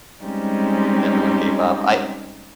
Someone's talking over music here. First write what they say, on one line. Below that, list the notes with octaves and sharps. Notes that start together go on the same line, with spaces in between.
everyone gave up. I
G3 G#3 C4 C#4 D#4 G4